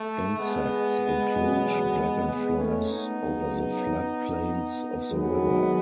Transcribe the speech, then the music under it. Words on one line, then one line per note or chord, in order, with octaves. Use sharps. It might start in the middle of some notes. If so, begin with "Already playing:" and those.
Insects include dragonflies over the flood plains of the river.
Already playing: A3
G#3 B3
E2 B2 F#3
G#3 B3
A3 C#4
B3 D#4
F#2 C#3 F#3
F#2 D#3 F#3 G#3 B3